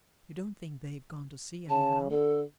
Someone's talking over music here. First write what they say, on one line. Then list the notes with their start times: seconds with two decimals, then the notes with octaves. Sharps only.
You don't think they've gone to sea, anyhow?'
1.70 C#3 A5
2.11 D3 A4